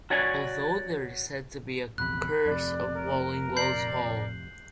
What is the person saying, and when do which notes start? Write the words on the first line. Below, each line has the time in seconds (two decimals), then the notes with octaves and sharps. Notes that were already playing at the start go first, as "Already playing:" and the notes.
Although there is said to be a "Curse of Wallingwells Hall".
0.10 F#4 C#5 D5 G#5
1.98 A#1 E2 C3 B5 F#6
2.46 F2 C3 D5
2.93 A#4
3.57 D5 G6 C7 F#7